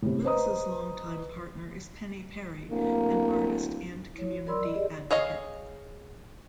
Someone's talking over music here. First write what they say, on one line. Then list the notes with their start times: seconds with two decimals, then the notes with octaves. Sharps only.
Louis' long-time partner is Penny Parry, an artist and community advocate.
0.02 A2 C3
0.24 B4 C5 D#5 A#5 D#6
2.70 D1 A#3
4.15 E4 C#5
4.31 F#4 C#5
4.46 F#3 A#4 D5 B5 C6 E6
4.61 D5 D#5
4.73 G4 G#4 D5 D#5
5.11 G#4 C#5 D#5 F5